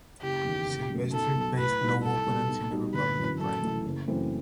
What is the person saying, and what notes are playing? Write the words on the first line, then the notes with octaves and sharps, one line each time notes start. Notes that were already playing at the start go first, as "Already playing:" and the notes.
Silvestri faced no opponents in the Republican primary.
F#1 G4
E2 D#3
F#1
F#2 F#3 A3
B1 A4
B2 F#3
A2 B4
G3 D#4 F#4
C2 A4
B2 G3 B3 F#4
B1
B2 G3 D#4 F#4
G1 B4
F#2 E3
F#2 A4
E3 A3 E4
F#1
F#2 E3 A3 C4